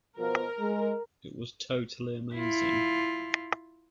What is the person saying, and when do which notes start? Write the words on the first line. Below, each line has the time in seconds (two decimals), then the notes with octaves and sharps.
It was totally amazing.
0.17 B2 F3 A#4
0.58 G#3
2.35 E4 F4